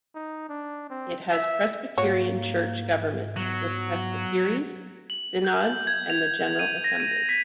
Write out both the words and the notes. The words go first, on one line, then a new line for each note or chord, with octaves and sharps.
It has Presbyterian church government with Presbyteries, Synods and the General Assembly.
D#4
D4
C4
E5
G#2 A#3 F#4 C#5
F#3 B3
F#7
G6
G#6
F7
D#7
A#6
D#7
B6